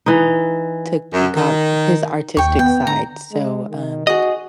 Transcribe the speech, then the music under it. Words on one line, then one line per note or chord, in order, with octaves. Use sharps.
took got his artistic side, so, um,
E3 D#4
F#2
D#3
D#2 G5 C#6
B3 G5
D3 A#5
G#3
D#3
F#4 G#4 D#5